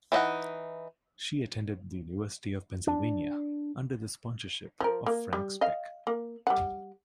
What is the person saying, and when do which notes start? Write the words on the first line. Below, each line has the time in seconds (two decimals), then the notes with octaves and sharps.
She attended the University of Pennsylvania under the sponsorship of Frank Speck.
0.12 E3 D4 D#4 F#5
2.87 D4
4.80 F3 A#4
5.06 A#3
5.33 G3
5.61 D#5 F5
6.07 A#3
6.47 G3 F#5